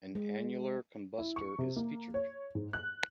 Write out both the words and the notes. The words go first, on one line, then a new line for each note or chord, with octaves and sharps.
An annular combustor is featured.
G#3
E4
C#6
C3
A#3
C#5
G#2
F#6